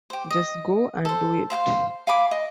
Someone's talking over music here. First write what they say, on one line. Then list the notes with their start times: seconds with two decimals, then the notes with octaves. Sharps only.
Just go and do it.
0.10 G4 C5
0.31 D#5
1.05 A4 C5
1.50 C5 F5 G5 C6
2.07 F5 G#5 B5 D6
2.31 D#5